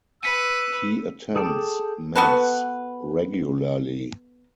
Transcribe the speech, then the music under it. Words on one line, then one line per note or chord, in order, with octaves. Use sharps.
He attends Mass regularly.
B4 E6 B6 C#7 D#7
G#4 A4 G5 A5 D6
B3 F#4 A4 B4